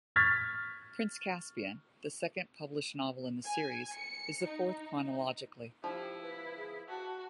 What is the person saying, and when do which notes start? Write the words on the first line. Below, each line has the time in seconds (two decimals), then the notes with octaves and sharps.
"Prince Caspian", the second published novel in the series, is the fourth chronologically.
0.16 C#6 F6 G#6 A6 B6
3.45 G#5
3.94 C#7
4.45 D#4
5.84 F3 E4 G4
6.21 B4
6.57 G#4
6.89 F#4 A5